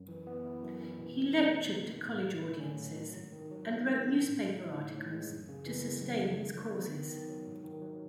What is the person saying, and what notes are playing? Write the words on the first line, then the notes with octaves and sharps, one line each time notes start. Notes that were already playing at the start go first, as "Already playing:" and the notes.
He lectured to college audiences and wrote newspaper articles to sustain his causes.
Already playing: F#2
E3
B3
E4
F#2
E3
B2
A3
D#4
B2
B2
A3
A2
F#3
A3
C#4
A2
F#3
G#2
D#3
F#3
G#2
G#2
D#3
A2
G#3
D#4
A2
A2
G#3
F#2
C#3
E3
F#2
F#2
C#3
D#3
F#3
B3
D#3
D#3
F#3
G#2
D#3
F#3